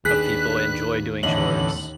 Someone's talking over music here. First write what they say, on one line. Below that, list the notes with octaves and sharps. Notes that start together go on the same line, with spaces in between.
of people enjoy doing chores.
D#2 D4 G#4 B4 F#6 B6
E2 A2 D3 C#4 D#5 F5 F#7